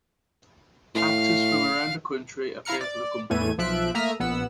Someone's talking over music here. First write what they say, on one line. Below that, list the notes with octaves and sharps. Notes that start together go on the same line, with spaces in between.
Actors from around the country appear for the Company.
A2 F5
E4 F5 A#5 F6 C#7
D5
E2 A2 E3 A3 G#6 D#7
B1 F3 E5 F#6 D7
A3 A#3 E5 A#5 D#6 F6
A#1 B3 F#5 E6